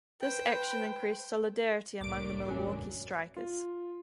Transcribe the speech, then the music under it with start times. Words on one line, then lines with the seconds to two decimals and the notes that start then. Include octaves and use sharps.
This action increased solidarity among the Milwaukee strikers.
0.22 B4 C5 G5
2.01 F1 C2 A2 A#3 D4 D6 D7
2.48 F#1 E2 F#3 G#3 C#4
3.37 F4